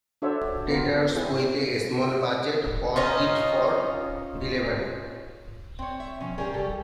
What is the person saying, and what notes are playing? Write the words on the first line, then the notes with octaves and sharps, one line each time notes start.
Traders with a small budget bought it for delivery.
D4 F#4 A4 C5 C#5 E5
B3 C4 F4 A#4
C4 E4 G#4
C#4 D#4 F4
C4 C#5
E5
B2 F3 C#4
G3 C#4 G4 G#4 A#4
C3 G3 G4 A4